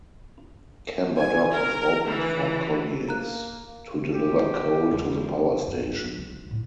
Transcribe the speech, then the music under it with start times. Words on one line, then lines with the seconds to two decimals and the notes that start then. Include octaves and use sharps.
Camber Dock was opened for colliers to deliver coal to the power station.
1.16 G#5
1.51 A#4
2.07 E3
3.09 A#3 A#5 F#6
4.14 G4
4.92 E2 C#3 G#3
5.68 G2
5.83 D3
6.17 C#2 F4
6.46 A2 D3